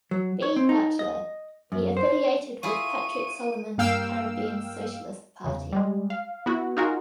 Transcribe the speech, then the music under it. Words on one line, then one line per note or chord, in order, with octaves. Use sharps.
B. Butler, he affiliated with Patrick Solomon's Caribbean Socialist Party.
F#3
C#5
C4
D#4
D#5
F#2
C5
E4 F4 G#4 C#6 D#7
G2 A#3 F5 G5 E6
E2 C#3
G3 G#3
F5
B3 E4 F#4
D#4 F4 F#4 G#4 A#4